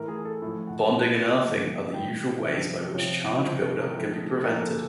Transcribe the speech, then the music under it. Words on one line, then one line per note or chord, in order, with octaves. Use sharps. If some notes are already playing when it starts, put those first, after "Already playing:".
Bonding and earthing are the usual ways by which charge buildup can be prevented.
Already playing: A2 E3 A#4
G#4
A4
A2 F3
F#5
B2
A#2 F3
A2 E3 G5
C3 F3 E5
C3 F3 C#5
C3 F3 C5
B4
A#4
A2 F3 A4
G#4
A4
A#2 F3 A#4
A4